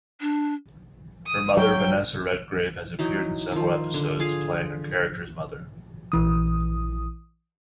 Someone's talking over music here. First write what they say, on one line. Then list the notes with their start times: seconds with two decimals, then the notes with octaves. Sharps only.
Her mother, Vanessa Redgrave, has appeared in several episodes, playing her character's mother.
0.21 D4
1.26 D#6
1.57 F#3 G5
2.99 E3 F#3 D#4
3.52 D#3 F3
3.94 D3
4.19 F4 G#4 F5
6.12 A#1 E3 D#6